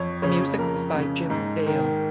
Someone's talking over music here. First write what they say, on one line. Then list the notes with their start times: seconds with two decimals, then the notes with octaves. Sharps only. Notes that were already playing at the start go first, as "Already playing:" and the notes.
The music was by Jim Dale.
Already playing: F2 C#5
0.22 C#3 C#5
0.58 F2 A#4
0.94 C#3
1.30 G#2
1.66 D#3